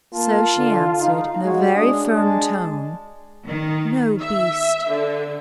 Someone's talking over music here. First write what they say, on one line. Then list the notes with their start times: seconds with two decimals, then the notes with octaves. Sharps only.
So she answered, in a very firm tone, "No, beast."
0.14 A#3 F4 A5
0.57 D3
0.99 D#4 F5
1.45 G#3 F#4 C#5
1.75 G#3 D4 D#6
2.15 G#3 A5
3.45 D#3
4.20 E5
4.90 D3